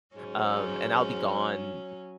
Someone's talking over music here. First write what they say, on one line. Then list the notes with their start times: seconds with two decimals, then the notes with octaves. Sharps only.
Um, and I'll be gone
0.15 G#2 F#3 C#4